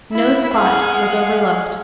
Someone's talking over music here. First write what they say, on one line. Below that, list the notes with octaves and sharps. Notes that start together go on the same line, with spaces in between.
No spot was overlooked.
E4
G#4 F5 F#5